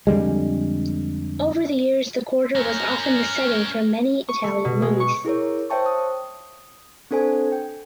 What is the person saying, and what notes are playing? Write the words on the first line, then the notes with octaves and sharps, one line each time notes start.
Over the years the quarter was often the setting for many Italian movies.
F2 D3 G3 G#3
C#4 A#4
C#6
A3
B2
G#3
C#6
E4 G#4 A#4 C#5
C5 C#5 E5 G5 A5 C#6
D#6
C4 D4 A4 C5 G#5
G5